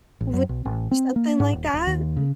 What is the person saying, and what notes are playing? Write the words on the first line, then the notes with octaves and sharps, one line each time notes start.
Would you do something like that? Mm.
A1
F#2
B1
A1
C4
A#3
G#2
D#1
D1
D#2
C#3